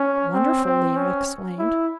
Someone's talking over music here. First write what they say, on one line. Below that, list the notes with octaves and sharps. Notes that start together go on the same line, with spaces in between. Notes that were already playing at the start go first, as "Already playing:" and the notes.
"Wonderful!" Lea exclaimed.
Already playing: C#4
C4
C4
C#4
E4